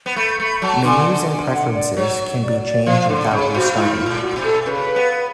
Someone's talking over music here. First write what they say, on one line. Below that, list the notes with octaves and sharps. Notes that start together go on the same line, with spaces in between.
Menus and preferences can be changed without restarting.
B3
A3 B5
A3 B5
F#3 A5
D3 G#5
A5
G#5
F#5
D5
F#3 C#5
C#5
D5
D5
F3 F5
F5
D3 D5
C#3 C#5
B2 F#4
G#2 F4
F4
A2
F#4
B2
A4
C#3 B4
B3